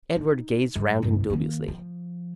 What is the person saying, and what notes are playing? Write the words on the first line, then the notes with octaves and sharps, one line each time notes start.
Edward gazed around him dubiously.
D#4
G2
G1 C2
D#3 A#3
F3